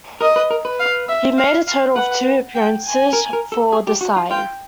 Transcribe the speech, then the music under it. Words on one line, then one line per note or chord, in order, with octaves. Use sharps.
He made a total of two appearances for the side.
A#4 D#5
B4
A#4
B4
F5
E5
F5
F5
B4 F#5
G5
G#5
A#4
A#4
A4
G#4
G4
F#4
F4
F4 G5